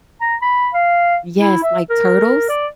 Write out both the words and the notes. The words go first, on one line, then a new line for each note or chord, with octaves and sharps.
Yes, like Turtles?
A#5
B5
F5
E4
E5
A#4
D5